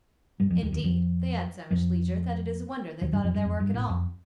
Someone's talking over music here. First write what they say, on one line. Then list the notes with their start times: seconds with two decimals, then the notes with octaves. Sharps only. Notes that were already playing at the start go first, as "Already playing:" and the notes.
Indeed, they had so much leisure that it is a wonder they thought of their work at all.
0.40 G2 G3
0.50 F2 F3
0.62 D#2 D#3
0.72 D#2 D#3
0.83 F2 F3
1.71 F2 F3
3.01 D#2 D#3
3.12 G2 G3
3.24 F2 F3
3.34 G2
3.45 F2
3.60 G2
3.74 A1 A2
3.89 F2